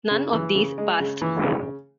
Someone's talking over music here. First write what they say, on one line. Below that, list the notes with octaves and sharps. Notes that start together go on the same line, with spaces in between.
None of these passed.
C#3
E3
C#3
G#3
C#3
E3
C#3